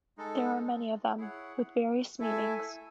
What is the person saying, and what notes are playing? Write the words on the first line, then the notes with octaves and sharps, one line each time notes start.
There are many of them, with various meanings.
G#3 D#4 A4
E4 G#4 C#5 F#5
A3 E4 A4 E5 G#5